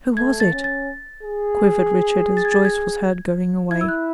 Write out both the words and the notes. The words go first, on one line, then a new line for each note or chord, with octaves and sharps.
"Who was it?" quivered Richard, as Joyce was heard going away.
A3 G#6
A6
C#4
A6
G#4
A6
G#6
A6
G#6
E4 G#6
E6
F#6